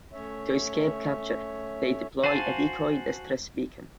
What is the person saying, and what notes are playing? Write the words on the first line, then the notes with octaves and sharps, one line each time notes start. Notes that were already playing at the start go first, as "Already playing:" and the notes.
To escape capture, they deploy a decoy distress beacon.
A3 C#4 C#5 E5
F#4 C5 F5 G#5 A5